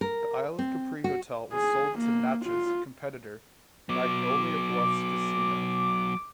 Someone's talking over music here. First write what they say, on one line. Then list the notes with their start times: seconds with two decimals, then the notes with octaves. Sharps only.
The Isle of Capri hotel was sold to Natchez competitor Magnolia Bluffs Casino.
0.01 A#4
0.59 C4
1.04 F#4
1.53 G#4
1.99 A#3
2.46 F4
3.89 F#3 B3 D6